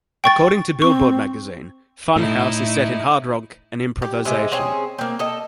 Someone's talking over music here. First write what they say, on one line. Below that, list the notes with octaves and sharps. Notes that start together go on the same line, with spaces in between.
According to "Billboard" magazine, "Fun House" is set in hard rock and improvisation.
G5 C#6 A6
C4 C#6
A2 D#4 E4
G4
C3 G#3
C4 C#4 G#4
A#3 C4
A4 D#5